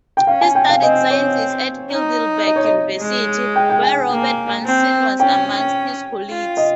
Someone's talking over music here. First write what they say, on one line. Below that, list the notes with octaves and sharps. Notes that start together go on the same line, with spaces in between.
He studied sciences at Heidelberg University, where Robert Bunsen was amongst his colleagues.
G5
C#4 F5
G#5
G5
F5
C4 D#5
C#5
D#4
D#5
C#5
D#5
G#3
G5
G5
G#5
A#3
C4
C#4 G5
F4
D#5